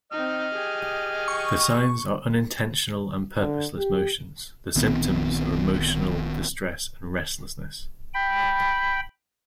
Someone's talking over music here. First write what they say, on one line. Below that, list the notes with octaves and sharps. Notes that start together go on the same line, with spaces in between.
The signs are unintentional and purposeless motions; the symptoms are emotional distress and restlessness.
C4 D#4 D#5 F6
G4 G#4
C#6
D3
G4
A#1 D#3 B3 C4
G5 B5